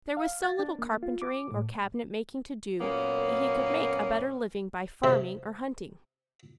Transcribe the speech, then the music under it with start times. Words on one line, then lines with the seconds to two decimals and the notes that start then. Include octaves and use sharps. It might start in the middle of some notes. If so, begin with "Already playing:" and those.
There was so little carpentering or cabinet making to do that he could make a better living by farming or hunting.
0.17 F5
0.43 A6
0.59 D4
0.79 A#3
1.03 F4
1.22 D6
1.51 A2
2.80 F#2 A#2 A#3 B3 C#4
5.04 C3